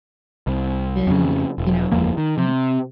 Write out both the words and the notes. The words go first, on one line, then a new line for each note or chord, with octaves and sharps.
been, you know, m
C2
F2 C#3
E1
F#1 E2 F3 A#3
D#3
C3